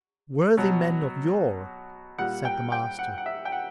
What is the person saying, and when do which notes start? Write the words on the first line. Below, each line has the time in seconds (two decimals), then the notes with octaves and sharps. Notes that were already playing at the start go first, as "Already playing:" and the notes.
Worthy men of yore, said the Master.
0.57 B2 F#3
2.18 A#2 G3 F#5
2.45 G5
2.72 G5
2.99 F#5
3.18 F#5
3.26 E5
3.45 G5
3.52 F#5